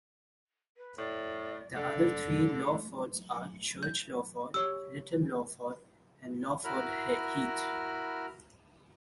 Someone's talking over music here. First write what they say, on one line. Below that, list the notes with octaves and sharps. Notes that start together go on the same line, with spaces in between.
The other three Lawfords are Church Lawford, Little Lawford and Lawford Heath.
B4
A2 D5
D3 D5
G6
G4 C#5 E6
E4 F#4 A#4 B5 F6